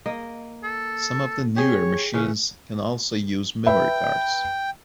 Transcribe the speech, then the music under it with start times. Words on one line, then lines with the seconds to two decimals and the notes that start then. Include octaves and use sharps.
Some of the newer machines can also use memory cards.
0.06 A#3 D#5
0.63 A4
1.56 G4 G#4 C#5
2.14 C#3 E3 C#4
3.66 B4 E5 G5 B5